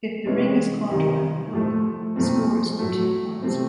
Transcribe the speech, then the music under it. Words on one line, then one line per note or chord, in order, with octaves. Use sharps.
If the ring is caught by the hook, the score is two points.
C3 E3 G#3 C#4
C3 D#3 G3
A2 F3 A3
A#2 F3 A3 C4
A2 F#3 A3
C3 F3 A3 C4